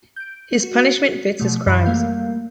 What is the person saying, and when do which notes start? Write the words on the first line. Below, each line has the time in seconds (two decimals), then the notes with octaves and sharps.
His punishment fits his crimes.
0.16 G6 D7
0.63 F#4
1.40 B2 F3 A3
1.66 F#2 E3 B5 A6 C7
1.85 G3 A3 A#3 A#4 F5 G6